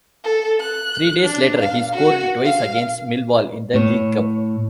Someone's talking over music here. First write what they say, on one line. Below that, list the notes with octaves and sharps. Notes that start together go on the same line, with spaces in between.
Three days later he scored twice against Millwall in the League Cup.
A4
F#6
D4
F5
F#4
F5
A2 C#5